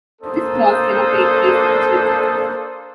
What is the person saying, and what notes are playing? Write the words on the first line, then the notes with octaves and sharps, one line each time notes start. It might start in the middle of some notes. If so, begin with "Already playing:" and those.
This cross cannot take place naturally.
A#3 D4 A4 C5 D#6